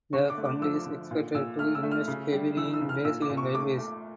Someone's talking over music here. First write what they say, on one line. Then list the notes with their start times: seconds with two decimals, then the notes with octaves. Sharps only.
The fund is expected to invest heavily in Brazilian railways.
0.13 D3 C#6
0.30 D6
0.38 A3
0.45 D6
0.62 F3 E6
0.86 D3
1.11 A#2
1.34 A#2 E6
1.59 A3 F6
1.75 E6
1.83 A3
1.91 F6
2.08 C#3
2.33 G3
2.57 E3 E6
2.74 E6
2.81 C#3
2.89 F6
3.05 A#2 E6
3.22 D6
3.29 A#2
3.37 C#6
3.54 A3 D6
3.78 A3